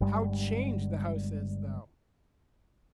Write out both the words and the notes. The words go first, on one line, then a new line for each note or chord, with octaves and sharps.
How changed the house is, though!
G1 G2 G3 G#3